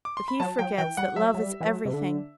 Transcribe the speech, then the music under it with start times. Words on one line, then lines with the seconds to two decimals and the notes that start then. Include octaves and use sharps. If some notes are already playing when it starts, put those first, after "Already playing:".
But he forgets that love is everything.
0.05 D6
0.17 C6
0.28 B5
0.40 F#3 A5
0.59 F#3 G5
0.78 E3 G5
0.97 G3 F#5
1.16 F#3 E5
1.34 F#3
1.43 G3
1.60 E3
1.68 F#3
1.85 C3
1.94 D3